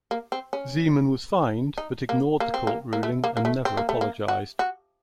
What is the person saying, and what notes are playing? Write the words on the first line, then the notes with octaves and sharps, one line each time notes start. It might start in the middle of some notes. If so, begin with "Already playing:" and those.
Zeman was fined, but ignored the court ruling and never apologised.
A#3
C4
C#4
D#4
A#3
A#3
C4
A#3
A#3
A3
A#3
A#3
A3
C4
A#3
A3
A#3
F#4
F#4